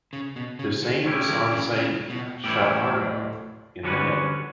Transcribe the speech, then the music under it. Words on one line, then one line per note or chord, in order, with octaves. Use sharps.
Hussein Ghassan Said shot Argov in the head.
C#3
B2
C#3
D3
A3 C#4 E4 G4
D3 F#3
C#3 E3
C#3
B2
A2 E3 G3 C#4 E4 G4
D3 G3 C#4 F#4 B4